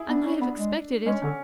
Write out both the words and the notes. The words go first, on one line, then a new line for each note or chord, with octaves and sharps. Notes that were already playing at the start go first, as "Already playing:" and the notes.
I might have expected it.
Already playing: E4 G#4
B3 D4
C#4
B3
G#3
G#3 C#4
D3 C#4